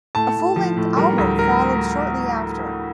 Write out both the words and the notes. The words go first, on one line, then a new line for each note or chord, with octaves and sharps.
A full-length album followed shortly after.
A2 A5
A2
F3
A2
G3 A#4
D2
A#4